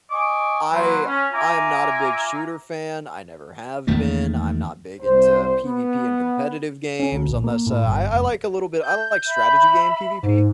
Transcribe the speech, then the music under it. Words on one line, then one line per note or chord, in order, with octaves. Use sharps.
I I am not a big shooter fan, I never have been, I'm not big into PvP and competitive games unless a I I like a little bit I don't like strategy game PvP.
D#5 G#5 C#6 D6
F#3 A#3 E4 B4 C6
C#4
F4 E5 G#5 A#5 D6
E2 D#3 A3 A#3
C2 C5
B3
C#4
D2
A#1
A#3
A2
G1
F1
G6
E5 B5
G#2